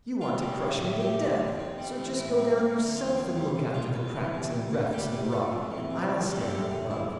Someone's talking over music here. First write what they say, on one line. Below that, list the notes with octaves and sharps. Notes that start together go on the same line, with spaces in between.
You want to crush me to death; so just go down yourself and look after the cracks and refts in the rock, and I'll stand up above.'
C4 F4
G3
A2
A2
A3 G4
D3
E2
C4
G3
E3
A2 E4
C4
A3
D3
E2 F4
C4
G3
B2
C2 F4
B3
E3
C3
D2
G3
G3 G4
C3
F2 A4
F2
E3
C3
E2
G3
A4
A3 G4
D3
E2 E4